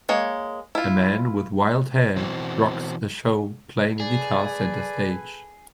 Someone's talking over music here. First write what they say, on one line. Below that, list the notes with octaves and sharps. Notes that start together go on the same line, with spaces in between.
A man with wild hair rocks a show playing a guitar center stage.
G#3 A#3 C#5
E4 F4
B2 E3 C4 F#4
G#4 A4 B4 D5 G#5